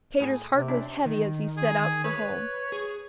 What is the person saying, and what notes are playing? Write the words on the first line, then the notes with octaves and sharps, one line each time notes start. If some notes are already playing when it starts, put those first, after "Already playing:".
Peter's heart was heavy as he set out for home.
A2 G#4 G#5
C3
C#4 D4 E4
D#3
G#4
B4 C#5
G#4